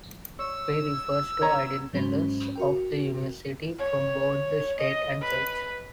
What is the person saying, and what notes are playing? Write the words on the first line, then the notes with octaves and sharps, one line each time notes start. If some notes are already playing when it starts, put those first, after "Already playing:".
"Free" refers to independence of the university from both the State and Church.
C#5 E6
B3 C#5 A#5
G#2 F#3 C#4 C5 B5
F#4 A#4 G5
C#5
D#5
B4